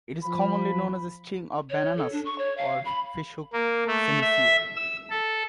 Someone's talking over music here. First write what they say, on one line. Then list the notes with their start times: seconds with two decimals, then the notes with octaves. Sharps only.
It is commonly known as string of bananas or fishhook senecio.
0.23 F3 B5
1.70 C#5
1.97 A4
2.12 D4
2.25 C#6
2.38 C#5
2.57 F5
2.85 B5
3.53 A#3
3.87 A3
4.22 E5
4.76 E6
5.10 A4